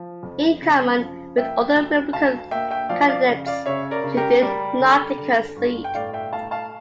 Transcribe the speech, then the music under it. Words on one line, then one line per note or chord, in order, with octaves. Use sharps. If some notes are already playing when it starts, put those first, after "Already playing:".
In common with other Republican candidates, she did not take her seat.
Already playing: F3
F2
C#3
F3
A#3 E5 G5
D2
D2 F5 A5
A#3 E5 G5
E5 G5
F3 D5 F5
D5 F5
C#3
D5 F5
C#3 C#5 E5
A#4 D5
C#3
G4 A#4
G3 A#4 D5
D3
D3
G1
G5
A2 D5 F5
E5 G5
A2 F5 A5
F5 A5